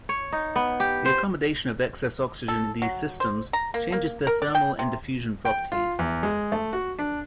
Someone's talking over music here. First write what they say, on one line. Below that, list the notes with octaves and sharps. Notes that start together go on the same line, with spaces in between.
The accommodation of excess oxygen in these systems changes their thermal and diffusion properties.
C#5
D#4
B3
G4
C5
A4
F#3
C5
A#5
A#3
A#3
A#4
D5
G5
C3
G5
F4
E2
G#3
A3
F#4
D4